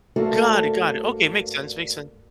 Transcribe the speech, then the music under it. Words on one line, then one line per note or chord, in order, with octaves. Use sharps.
Got it, got it, okay. Makes sense, makes sense,
G2 A3 A#3 F#4 A4 C5